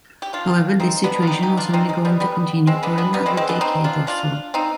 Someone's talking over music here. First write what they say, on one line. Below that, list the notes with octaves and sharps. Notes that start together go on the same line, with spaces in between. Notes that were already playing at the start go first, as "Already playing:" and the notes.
However, this situation was only going to continue for another decade or so.
G4
D4 F4
C4 D#4
B3 D4
F4
D#4 G4
D#4 G4
D4 F4
C4 D#4
G#3 C4
G3 B3
G3 B3
G#3 C4
B3 D4
B3 D4
G3 B3
G#3 C4
G#3 C4
B3 D4
C4 D#4
D4 F4
D4 F4
C4 D#4